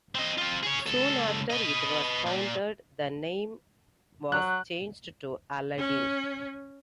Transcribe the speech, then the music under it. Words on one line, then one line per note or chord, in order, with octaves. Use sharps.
Soon after it was founded, the name was changed to Aladdin.
C4 D#5
C4 F4
G#4 C#5
C#2 A4
B4 D#5
A#2
F#3 F#6
C#4